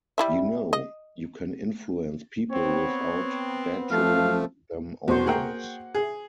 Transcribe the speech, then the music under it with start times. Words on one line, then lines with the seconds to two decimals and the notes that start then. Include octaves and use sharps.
You know, you can influence people without badgering them always.
0.18 G3 E4 E5
0.73 D#5
2.51 B3 C4 C#5
3.91 F3 A3 F5
5.08 E2 B2 F#4 C5 C#6
5.26 A#3 G#4 A#4 F#5 G5
5.95 G#4